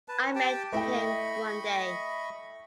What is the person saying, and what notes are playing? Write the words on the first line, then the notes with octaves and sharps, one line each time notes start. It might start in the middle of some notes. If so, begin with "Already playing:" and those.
I met him one day.
B4 A5
G4 G5 A5
A3 E4 D#5 G5 B5 C#6